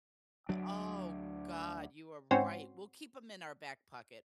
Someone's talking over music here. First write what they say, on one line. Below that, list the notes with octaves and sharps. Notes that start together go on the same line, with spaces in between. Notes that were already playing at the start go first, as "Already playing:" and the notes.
O oh, god, you are right, we'll keep 'em in our back pocket.
D2 F#3 D4
G#2 C4 C#4 F#4 C6